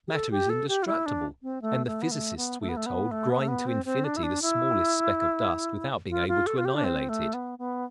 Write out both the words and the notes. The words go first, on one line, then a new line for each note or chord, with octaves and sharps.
Matter is indestructible, and the physicists, we are told, grind to infinity the smallest speck of dust without being able to annihilate it.
G4
A4
G4
A4
G4
F4
E4
D4
C4
A3
A3
B3
A3
B3
A3
B3
A3
B3
A3
B3
A3
B3
C4
C4
D4
E4
D4
E4
F4
F4
A4
F4
G4
D4
C4
A3
B3
B3